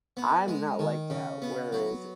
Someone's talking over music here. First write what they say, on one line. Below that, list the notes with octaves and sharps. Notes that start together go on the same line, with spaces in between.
I'm not like that. Whereas,
B3
G#3
D#3
C#3
B3
F#3